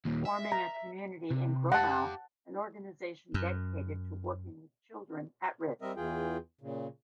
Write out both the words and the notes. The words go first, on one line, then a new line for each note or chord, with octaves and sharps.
Forming a community in Gronau, an organization dedicated to working with children at risk.
D#2 A#2
E5
A#5
C3
G4 F5 F#5 A5
F#2
G3 C4 A#4 D#5 E5
E2 E3 F4 G#4 G5
A#2 C#3